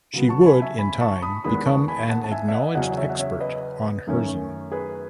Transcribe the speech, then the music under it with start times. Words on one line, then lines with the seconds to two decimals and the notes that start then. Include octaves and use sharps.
She would in time become an acknowledged expert on Herzen.
0.13 C#3 F#3 B3
0.29 A5 C#6
0.41 A5
0.46 G#5 B5
0.62 E5 G#5
0.79 G#5 B5
1.01 A5 C#6
1.22 B5 D#6
1.44 E2 D#3 G#3 B3 B5 D#6
1.66 A5 C#6
1.88 G#5 B5
2.09 F#5 A5
2.24 A5
2.31 E5 G#5
2.48 E5
2.53 D#5 F#5
2.75 E2 C#3 F#3 C#4 D#5 F#5
2.97 C#5 E5
3.09 F#5
3.19 C#5 E5
3.40 B4 D#5
4.07 F#2 D#3 A3 C#4
4.72 G#4 B4